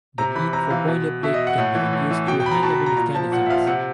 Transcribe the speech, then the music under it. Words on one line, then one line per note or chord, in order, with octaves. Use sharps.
The need for boilerplate can be reduced through high-level mechanisms.
C3 A#5
E3 B5
C3 A#5
E3 F5
B2
B2 E5
D#5
F#5
A2
E3
A2
E3
B2 G5
G5
B5
A#5
B2 A5
B5
A#5
A#2 A#5
F3 A5
A#2 F#5
E5
F3 F5
C3 F#5